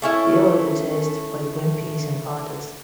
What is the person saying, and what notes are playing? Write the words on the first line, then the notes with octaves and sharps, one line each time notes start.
There were protests by Greenpeace and others.
A3 C#4 E4